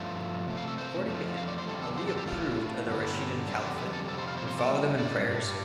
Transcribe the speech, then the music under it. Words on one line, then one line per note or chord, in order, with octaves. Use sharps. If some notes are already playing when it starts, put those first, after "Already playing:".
According to him Ali approved of the Rashidun Caliphate and followed them in prayers.
Already playing: G2 F3 A3
C3 A3
F5
A4
C5
F2 F3 A3
F5
D5
C5
F2 D3 G3 A4
A4
C5
A4
G4
A2 A3 F4
G2 D3 G3
F2 D3 G3 D4
D4
G4
A4
F2 C3 G3 A4
C5
F5
C5
C5
A4
A2 G3
D5
G2 G3